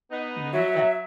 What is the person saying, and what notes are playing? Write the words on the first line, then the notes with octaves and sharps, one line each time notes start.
You know, but
B3 D#4
F#3 E5